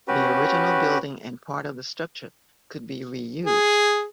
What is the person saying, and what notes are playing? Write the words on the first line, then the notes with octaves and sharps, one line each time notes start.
The original building and part of the structure could be reused.
C#4 F#4 G4 B4
G#4